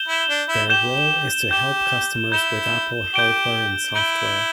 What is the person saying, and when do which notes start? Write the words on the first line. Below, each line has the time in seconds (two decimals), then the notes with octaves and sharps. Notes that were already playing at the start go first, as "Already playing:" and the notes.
Their role is to help customers with Apple hardware and software.
Already playing: G6 E7 G7
0.09 E4
0.29 D4
0.49 E4
0.70 G4 G6 E7 G7
1.51 G4 G6 E7 G7
2.32 E4 G6 E7 G7
3.14 G4 G6 D7 G7
3.95 E4 G6 D7 G7